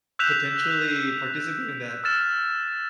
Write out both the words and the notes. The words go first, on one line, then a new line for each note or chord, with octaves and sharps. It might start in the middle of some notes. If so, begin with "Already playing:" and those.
potentially participate in that
E6 F#6 G6 B6 E7 F7
E6 F6 A6 E7